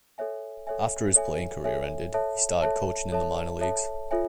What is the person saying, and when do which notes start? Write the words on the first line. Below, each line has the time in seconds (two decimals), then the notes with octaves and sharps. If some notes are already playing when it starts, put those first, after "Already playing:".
After his playing career ended, he started coaching in the minor leagues.
0.18 A4 C#5 E5 G#5
0.67 A4 C#5 E5 G#5
1.16 A4 C#5 E5 G#5
1.64 A4 C#5 E5 G#5
2.14 A4 C#5 E5 A5
2.62 A4 C#5 E5 A5
3.12 A4 C#5 E5 A5
3.61 A4 C#5 E5 A5
4.11 F4 A4 C#5 E5 G#5